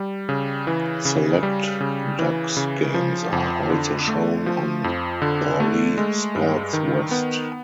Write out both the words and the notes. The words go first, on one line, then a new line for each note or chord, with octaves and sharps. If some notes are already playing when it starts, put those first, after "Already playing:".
Select Ducks games are also shown on Bally Sports West.
Already playing: G3
C#3
E3
C#3
G3
C#3
E3
C#3
F3
F2
D3
A3
F3
F2
D3
A3
G#3
G2
D#3
B3